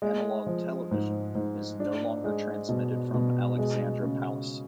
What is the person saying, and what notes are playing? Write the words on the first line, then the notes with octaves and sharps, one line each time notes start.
Analogue television is no longer transmitted from Alexandra Palace.
G#3
F3
G#2
G#2
D4
G#3
B2
B2
G#3
C#3